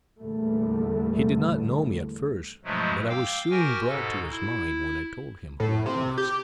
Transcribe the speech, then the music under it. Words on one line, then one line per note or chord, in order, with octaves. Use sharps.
He did not know me at first, but I was soon brought to his mind when I told him who I was.
E2 A#2 D3 G3 A3
G2 B2 F3 F#3 G#3 A3
F5 G5 D6 E6
F#4 G4 A#4 G5 G#5
G#2 B2 A4
E4
A2
C3
G4